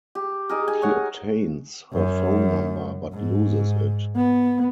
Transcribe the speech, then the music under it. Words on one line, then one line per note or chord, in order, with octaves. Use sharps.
He obtains her phone number but loses it.
G4
D#4 G#4 A#4
G#5
C#5 F#5
F#2
G#2
B3